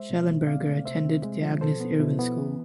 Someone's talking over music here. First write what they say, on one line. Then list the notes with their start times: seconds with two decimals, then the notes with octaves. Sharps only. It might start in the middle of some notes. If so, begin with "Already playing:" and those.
Shellenberger attended The Agnes Irwin School.
Already playing: G#3 C5 E5
0.10 B2
0.28 B2
0.47 C4 D5 F5
0.66 A3
0.85 C3 C5 E5
1.05 C4
1.24 G#3
1.42 F3
1.61 B2 A4 C5
1.80 B3
1.99 B2 E4
2.19 B3
2.38 E3